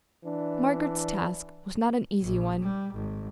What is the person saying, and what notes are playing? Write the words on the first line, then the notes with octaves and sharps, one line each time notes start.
Margaret's task was not an easy one.
E3 D4
A#1
G3
G#1